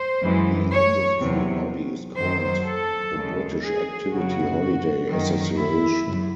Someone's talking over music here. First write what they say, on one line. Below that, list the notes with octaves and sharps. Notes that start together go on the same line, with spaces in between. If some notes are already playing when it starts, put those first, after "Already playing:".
The industry body is called the British Activity Holiday Association.
Already playing: C5
F#2 E3 G#3
C#5
E2 C3 F#3
F#2 D#3 F#3 C5
A4
D#2 C#3 G#3
G#4
F#2 C#3 F#3 F#4
F#2 D#3 F#3
E4
F#2